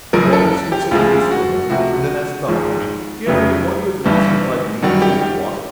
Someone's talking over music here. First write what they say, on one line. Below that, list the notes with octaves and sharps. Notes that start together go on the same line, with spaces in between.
Walters considered this for a moment and then asked thoughtfully, "Give me one good reason why the unit shouldn't be washed out."
F#1 F#2 C#3 F3 A#4
A4
G4
D2 C#3 F3 G#3 F4
F#4
C#2 C3 F3 A3 F#4
G#1 G#2 F3 G#3
F1 F2 C#3 F#3 A3
G1 G2 E3
F#2 D#3 G3 F#4
G4
G4